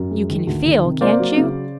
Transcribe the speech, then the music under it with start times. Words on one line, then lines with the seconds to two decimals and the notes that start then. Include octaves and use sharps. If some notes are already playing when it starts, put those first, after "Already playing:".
"You can feel, can't you?"
Already playing: F#2
0.11 G#3
0.29 D#3
0.47 D2
0.66 D#3
0.83 C3
1.01 A#3 C5 D5
1.20 F#3
1.37 C#3